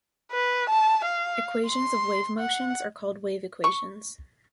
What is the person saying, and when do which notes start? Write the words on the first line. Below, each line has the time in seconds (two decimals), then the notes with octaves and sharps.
Equations of wave motion are called "wave equations".
0.32 B4
0.70 A5
1.05 F5
1.68 C6
2.39 F#5
3.64 C#6